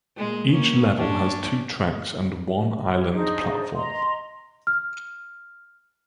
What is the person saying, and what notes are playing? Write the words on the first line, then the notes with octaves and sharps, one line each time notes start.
Each level has two tracks and one island platform.
A#2 G#3
A#3 C#4
C#4 D4
G4 C#5
D4 D#4 G#4 C5
D#5 A#5 C6
F6